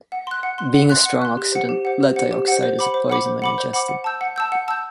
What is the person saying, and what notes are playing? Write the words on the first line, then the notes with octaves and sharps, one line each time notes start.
Being a strong oxidant, lead dioxide is a poison when ingested.
F#5
C6 F#6
F#5
C6 F#6
F#5
C6 F#6
F#5
C6 F#6
G4
C5 F#5
G4
C5 F#5
G4
C5 F#5
G4
C5 F#5
C5
F#5 B5 D6
C5
F#5 B5 D6
C5
F#5 B5 D6
C5
F#5 B5 D6
F#5
A5 E6 G6
F#5
A5 E6 G6
F#5
A5 E6 G6